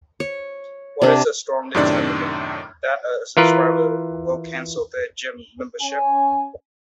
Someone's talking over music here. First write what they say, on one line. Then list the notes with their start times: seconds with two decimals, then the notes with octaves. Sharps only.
What is a strong determinant that a subscriber will cancel their Gym membership?
0.20 C#5
1.02 C3 D4
1.75 F#2 A2 C3 D#3 D4 D5
3.37 E3 F4 A#4 B4
5.81 C#4 G#5